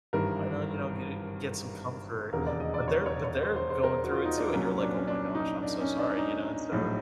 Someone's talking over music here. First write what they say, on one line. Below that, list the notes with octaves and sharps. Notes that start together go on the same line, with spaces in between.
I don't know, you know, g get some comfort, but they're but they're going through it too, and you're like, "Oh my gosh, I'm so sorry," you know, and so
G#1 G2 E3 A#4
E1 D#2 C#3 A#4
D5
D#5
D5
C#5
C#5
C#5
C5
C5
C5
A#4
F#4
F4
D#4
D4
C2 A#2 F#3 C#4
D4
C#4
D4
D#4
D4
C#4
D4
D#4
A#1 A2 F#3